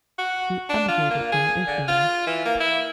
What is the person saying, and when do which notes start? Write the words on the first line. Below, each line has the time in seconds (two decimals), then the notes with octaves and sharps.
She emigrated from Israel.
0.18 F#4
0.69 D4
0.88 F4
1.10 A#3
1.32 G#4
1.67 D3
1.88 F4
2.27 E3
2.45 A#3
2.60 E4